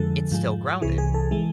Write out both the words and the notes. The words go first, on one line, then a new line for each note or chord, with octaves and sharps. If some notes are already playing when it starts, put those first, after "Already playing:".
it's still grounded.
Already playing: F2 D3 F3 G#3 A4
G#2 F3 G#3
C2 C3 E3 G#4
G#4
A4
E3 G#3